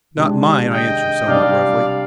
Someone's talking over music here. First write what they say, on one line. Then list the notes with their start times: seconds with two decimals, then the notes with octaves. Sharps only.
"Not mine," I answered somewhat roughly.
0.17 C3 D#3 G#3 D4 G4
0.72 D#5 G5
1.26 C3 G3 D4 D5 F5